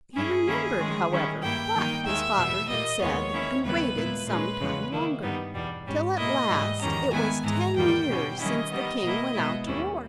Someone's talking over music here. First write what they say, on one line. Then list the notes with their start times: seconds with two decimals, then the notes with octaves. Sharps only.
He remembered, however, what his father had said, and waited some time longer, till at last it was ten years since the king went out to war.
0.15 G2 G3 C#4 E4 G#4
0.47 D#3 A#3 C#4 E4
0.78 D#3 G#3 C#4
1.11 D#3 G3 C#4 E4
1.41 G2 G3 A#3 E4 G5
1.74 D#3 G3 A#3 D#4
2.05 D#2 D#3 G#3 E5
2.37 E2 B2 G3
2.68 A#2 G3 A#3 D#5
3.00 D#2 D#3 G#3 B3 C#5
3.32 D#3 A#3 C#4 E4
3.64 D#2 C#3 G3 B3 E4 B4
3.95 A#2 G#3 B3 E4
4.27 A#2 G#3 C#4 B4
4.59 E2 C#3 G#3 C#4
4.91 D#3 A#3 E4
5.22 G2 G3 B3 D#4
5.54 E2 B2 G3
5.86 G#2 G3 C#4
6.17 B2 A#3 E4 D#5
6.48 G#2 E3 G3
6.80 E2 D#3 G3 C#4 A#5
7.12 D#3 G#3 B3 E4 G#5
7.43 G#2 E3 G#3 A#5
7.75 E2 D#3 G3 A#3 G5
8.08 B2 G3 C#4
8.39 D#3 G3 C#4 E4 D#5
8.71 D#3 G3 B3
9.03 B2 A#3 E4
9.34 B2 G#3 B3 E4
9.65 D#2 D#3 G3 C#4 E4